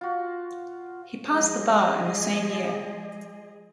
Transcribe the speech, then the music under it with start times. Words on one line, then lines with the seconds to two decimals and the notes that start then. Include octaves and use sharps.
He passed the Bar in the same year.
0.01 F4 F#4
1.29 F3 G3 G#3 G#4 D#5